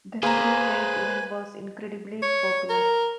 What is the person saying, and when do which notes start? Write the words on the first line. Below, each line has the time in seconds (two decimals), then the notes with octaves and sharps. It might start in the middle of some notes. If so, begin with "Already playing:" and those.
The three-night event was incredibly popular.
0.23 A#3 G#4 B4 C5 G#5 A#5
2.22 C#5
2.70 A#4